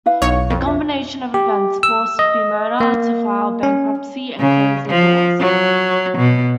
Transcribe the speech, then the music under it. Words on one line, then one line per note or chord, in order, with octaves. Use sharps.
The combination of events forced Bimota to file for bankruptcy and close their doors.
E4 B4 F5
B1 C#5
F2
E5
G4
E6
D#5
A#3
C#4
C#3
F3
F#3
B2